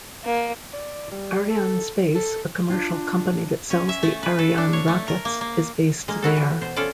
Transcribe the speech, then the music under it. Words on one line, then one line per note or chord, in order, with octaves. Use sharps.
Arianespace, a commercial company that sells the Ariane rockets, is based there.
A#3
D5
G3
A4
A4
D4 F4
C#4
E5
A3
B4
A4
D4
C#5
A3
A#4
A#3
A#3
G#3 A#3
E4 F#4 A4
E3
B2 C5
C#4 F4 A4 D5